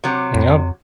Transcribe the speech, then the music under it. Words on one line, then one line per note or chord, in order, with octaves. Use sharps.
And, yep.
C3 F#3
F2